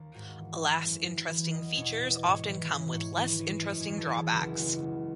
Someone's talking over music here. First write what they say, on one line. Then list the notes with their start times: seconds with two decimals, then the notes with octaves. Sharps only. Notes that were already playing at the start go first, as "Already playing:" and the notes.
Alas, interesting features often come with less interesting drawbacks.
Already playing: D#2
0.15 G#2 F#4
0.38 E3
0.61 E3
0.85 F#2
1.07 E3
1.31 E3
1.53 E2 D#5
1.76 B2 C#5
2.00 B2 D#5
2.23 G#2 C#5
2.47 E3
2.70 E3
2.93 G#2 C#5
3.16 E3
3.39 E3
3.62 F#2 D#5
3.81 C#5
3.86 E3
3.97 A4
4.09 E3
4.15 G#4
4.32 C#2 F#4
4.44 E4
4.56 C#3 F#4
4.79 C#2